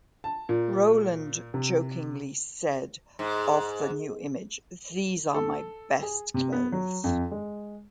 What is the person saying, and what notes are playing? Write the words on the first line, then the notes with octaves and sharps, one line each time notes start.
Rowland jokingly said of the new image: These are my best clothes.
A5
A#2
C3
G#2
A4
G#4
C3
B3
F#3
F2
G#3